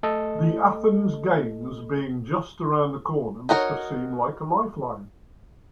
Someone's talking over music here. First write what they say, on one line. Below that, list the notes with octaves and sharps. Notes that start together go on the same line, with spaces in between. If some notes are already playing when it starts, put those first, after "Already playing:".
The Athens games being just around the corner must have seemed like a lifeline.
A3 A4 D#5
D#4 F#4 A#4 C#5